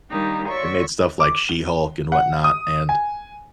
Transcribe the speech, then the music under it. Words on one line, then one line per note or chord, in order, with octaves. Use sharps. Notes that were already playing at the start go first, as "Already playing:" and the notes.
they made stuff like She-Hulk and whatnot, and
D#3 G3 A#3 D4 D#4 G4
F#4 C#5 D5 E5 C6 C#6
D6
G7
F#5
D#6
G#5